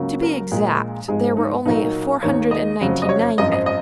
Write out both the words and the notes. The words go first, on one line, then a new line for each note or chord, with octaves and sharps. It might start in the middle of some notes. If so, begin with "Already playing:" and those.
To be exact, there were only four hundred and ninety-nine men.
Already playing: C#2 C#3 F#3 A#3
A#4
A#1 A#2 G#3
G#1 G#2 F3 G#3 G#4
D#4
B1 A#2 F#3 A#3 D#4
D#2 D#3 A#3 C#5
D#5
F#1 F2 C#3 F#3
D#5
C#5
G#1 F#2 F3 D#5
D#5
D#5